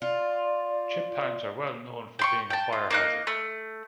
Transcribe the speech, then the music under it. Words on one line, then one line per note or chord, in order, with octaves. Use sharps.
Chip pans are well known for being a fire hazard.
F4 D5
G5 C6 C#6
G5 A5
F4
A#3 D#4 F#6
A3